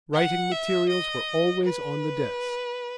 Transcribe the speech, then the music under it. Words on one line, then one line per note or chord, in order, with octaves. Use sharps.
Writing materials were always on the desk.
F#5
E5
D#5
B4